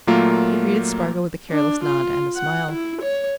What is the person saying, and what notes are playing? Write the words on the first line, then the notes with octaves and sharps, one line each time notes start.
He greeted Spargo with a careless nod and a smile.
A#2 F#3 A3 A#3 F4 A#4
D4
F4
F#5
E4
C#5